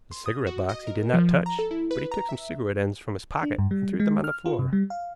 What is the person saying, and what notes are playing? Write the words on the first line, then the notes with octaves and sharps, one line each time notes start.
The cigarette box he did not touch, but he took some cigarette-ends from his pocket and threw them on the floor.
C6
D#6
F#4
D#5
A#4
F3
A#5
A4
E4
B4
A#5
E5
D4
G2
G3
G#3
F6
F4
C3
G3
F5